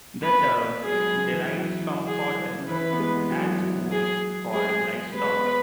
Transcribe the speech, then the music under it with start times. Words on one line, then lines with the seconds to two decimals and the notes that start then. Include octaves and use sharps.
The term derives from fodder, as food for livestock.
0.23 B3 B4
0.84 F#3 G#4
0.92 G#3
1.00 F#3
1.15 C#3
1.31 E3
1.44 F#3
1.57 E3
2.07 G#4
2.58 C#3
2.69 E3 B4
2.93 B3
2.99 G#3
3.31 F#3
3.50 F#3
3.71 F#3
3.92 G#4
4.53 G#3 G#4
5.14 G#3 B4
5.36 B3